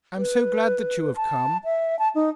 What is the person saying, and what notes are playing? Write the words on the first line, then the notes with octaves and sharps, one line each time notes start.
'I am so glad that you have come.'
B4
A5
E5
A5
D#4